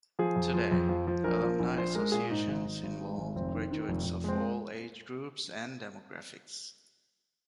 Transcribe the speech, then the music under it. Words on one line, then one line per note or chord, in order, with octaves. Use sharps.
Today, alumni associations involve graduates of all age groups and demographics.
F3 G#4
F2
F3
F2
F3
F3
A#1 A#4
F3
A#1
A#1 C5
G#3 A#4
A#2 G#4
G#2 D#4
G#1
G#1
G#1
G#3
G#1
F1 C4
D#3
D#3
F1
F1
G#3 C4